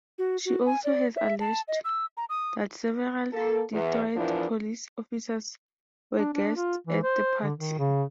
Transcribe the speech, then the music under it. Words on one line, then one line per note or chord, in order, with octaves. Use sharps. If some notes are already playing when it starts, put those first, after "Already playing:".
She also has alleged that several Detroit police officers were guests at the party.
F#4
F#4
G#5
D5
E5
A5
D#5
E6
A#5
D#6
A#3 A4
E2
E2 F3 D4 E4 A#4
D4
D4
F4
E3
C5
D3
D#3
C#3